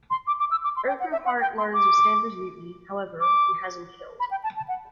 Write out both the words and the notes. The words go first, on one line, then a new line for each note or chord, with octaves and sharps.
Urquhart learns of Stamper's mutiny, however, and has him killed.
C6
D6
D6
E6
D6
C6
G5
F#5
E5
F#5
G5
C6
D6
D6
B5
G5
A5
A5
F#5